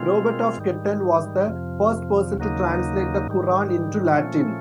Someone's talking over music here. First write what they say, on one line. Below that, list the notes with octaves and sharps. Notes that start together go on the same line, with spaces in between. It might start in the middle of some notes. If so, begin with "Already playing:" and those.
Robert of Ketton was the first person to translate the Qur'an into Latin.
Already playing: B2 G#3 C4 F4
G#2 D#3 G3
F2 C3 F3
D#2 C#3 F#3 A#3 D#4
G#2 D#3 G3
A#2 F3 A3 C#4